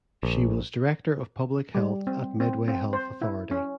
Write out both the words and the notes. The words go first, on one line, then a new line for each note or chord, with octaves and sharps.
She was Director of Public Health at Medway Health Authority.
A#1
G3
C4
C4
C4
C5
E4
C#4